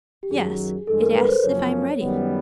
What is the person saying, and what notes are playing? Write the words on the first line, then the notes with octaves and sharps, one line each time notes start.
"Yes; it asks if I am ready."
G4
F#2 D#3 F#3 G#4
G2 E3 G#3 A4
A#4
B4
C5
F#2 C#3 F3 A#3 C#4 C#5
F#2 D#3 G3 B3